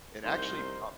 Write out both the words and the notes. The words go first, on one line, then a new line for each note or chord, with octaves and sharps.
And, actually, um
C2 D#4 A#4 C5 C6 G6